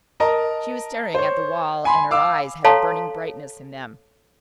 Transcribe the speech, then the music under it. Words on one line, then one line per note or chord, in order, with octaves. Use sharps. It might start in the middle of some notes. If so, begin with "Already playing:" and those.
She was staring at the wall, and her eyes had a burning brightness in them.
A#4 D#5 A5 A#5
C5 C#5
G#5 B5 C6
F5 D6 E6
A4 C#5 F5 A5 A#5 C6